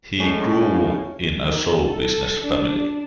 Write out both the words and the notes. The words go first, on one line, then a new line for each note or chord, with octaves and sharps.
He grew in a show business family.
A2 G#3 C#4
D#3
A4
D4